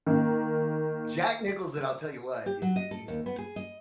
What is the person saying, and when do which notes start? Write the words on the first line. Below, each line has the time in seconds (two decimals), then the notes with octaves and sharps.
Jack Nicholson, I'll tell you what, is evil.
0.06 D#3 A#3
2.46 G4
2.62 F#3
2.76 D#5
2.91 A4
3.08 D#2
3.26 B3
3.38 G#4
3.56 D#5